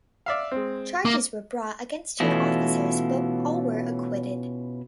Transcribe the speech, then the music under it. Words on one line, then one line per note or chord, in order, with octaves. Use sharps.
Charges were brought against her officers but all were acquitted.
D5 E5 F5
G#3 C4
A#3 D6
B2 E3 A3 C#4 E4 F4 A4 D#5